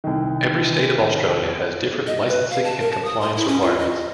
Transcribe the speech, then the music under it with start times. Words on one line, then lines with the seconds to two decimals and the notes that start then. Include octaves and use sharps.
Every state of Australia has different licensing and compliance requirements.
0.04 C2 D#3
2.07 D#5
2.28 B4
2.51 F5
2.64 A5
2.80 A#4
2.92 A5
3.05 D#6
3.21 C6
3.36 E4
3.48 C#4
3.62 F4
3.79 D#5